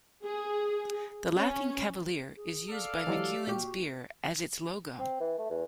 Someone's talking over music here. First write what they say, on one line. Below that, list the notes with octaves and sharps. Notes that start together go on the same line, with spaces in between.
The "Laughing Cavalier" is used by McEwan's beer as its logo.
G#4
C#4
G#4
A4 D5 F5
E3 F#3 G#3 G4
A#2 F#4 G4
C4
E3
A3
E2